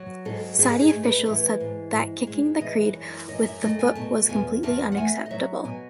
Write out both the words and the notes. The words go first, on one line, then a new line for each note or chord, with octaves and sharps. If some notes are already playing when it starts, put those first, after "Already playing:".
Saudi officials said that kicking the creed with the foot was completely unacceptable.
Already playing: F#3
G#2 A4
G#2 G#4
G#4
A3
B4
E3
G#2
G#2
G#3
E3 D#5
F#2
F#2 D#5
E5
A3 D#5
G#5
B2 A5
E2 G#5
E2 A5
F#5
A3 G#5
D#5
F#3 E5
B2 G#5